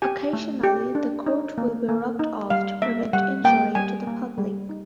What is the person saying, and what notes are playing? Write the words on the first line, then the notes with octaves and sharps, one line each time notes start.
Occasionally the court will be roped off to prevent injury to the public.
G4 G#5
A3
G4
D4
D#4
A#3
A#3
D#4
G3 F5
A#3 E5
G3 F#5
A#3 G5
G3 G#5
A#3
G3
D#4